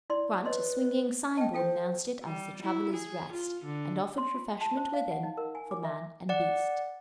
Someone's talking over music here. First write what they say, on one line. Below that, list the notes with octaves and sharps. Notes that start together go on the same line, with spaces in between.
In front, a swinging sign-board announced it as the "Traveller's Rest" and offered refreshment within for man and beast.
E4 D5 C6
B4 C#5 D#5 C6
D#5 G5 A5
F4 A4 C5 G5
G3
E4
G#4
F4
D3
C6
F4
G5
A5
C5
F5
F#5
D#4
A#4
G#5
D6
E5
D5 F#5